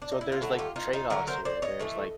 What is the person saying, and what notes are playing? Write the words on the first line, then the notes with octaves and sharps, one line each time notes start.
So, there's, like, trade-offs here. There's, like
D4
D#4
E4
F4
D3 F#3 A3 E4 F#4
F4 G4
D#4 F4
D#4 F4
D3 F#3 A3 G#4 A#4
A#4 C5
C5 D5
C#5 D#5
A2 E3 A3